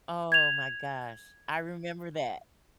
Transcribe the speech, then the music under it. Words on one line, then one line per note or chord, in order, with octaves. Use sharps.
Oh my gosh. I remember that.
G#6 F7